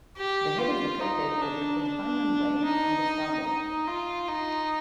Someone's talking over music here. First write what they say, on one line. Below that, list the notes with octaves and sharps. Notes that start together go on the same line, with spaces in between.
The head is located at the companionway on the starboard.
G4
F4
D#4
D4
D4
D#4
D#4
F4
D#4